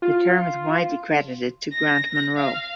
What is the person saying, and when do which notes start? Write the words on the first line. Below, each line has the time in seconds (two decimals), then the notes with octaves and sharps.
The term is widely credited to Grant Munro.
0.02 F4
1.71 A#6
2.36 F5